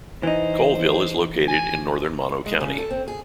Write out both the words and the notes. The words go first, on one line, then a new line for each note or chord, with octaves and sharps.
Coleville is located in northern Mono County.
E3 D#4 C5
G#5
G#3
C#3
A4
C4
G#4